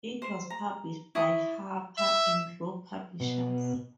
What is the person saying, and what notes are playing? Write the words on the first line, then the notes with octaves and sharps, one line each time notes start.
It was published by Harper and Row Publishers.
C5
A#5
E4 C#6 D#6
E5
B2